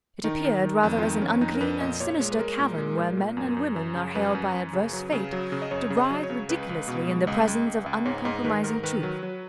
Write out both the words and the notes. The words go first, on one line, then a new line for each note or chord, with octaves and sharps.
It appeared rather as an unclean and sinister cavern where men and women are haled by adverse fate to writhe ridiculously in the presence of uncompromising truth.
D#3 D#4
D#3
D#3
F2
F4
D#3 D#4
F2 C#4
F2 D#4
A#4
F2 B4
A#2 D#5
A#2 C#5
G#3 C#5
B4
G#3 A#4
A#2
G#3
A#2
A#2
F#2
F#2
F#2
C#3
F#2 B4
F#2
F#2
C#3
F#3
C#3
F#3
C#3
D#5
F#2 C#5
C#3
D#5
F#3
C#5
C#3
C#2 B4
C#2
B2
G#3
C#2 D#5
C#2
C#2
C#2
G#2 C#5
G#2 D#5
D#3 B4
G#2 A#4
D#3 B4
F#3
F#3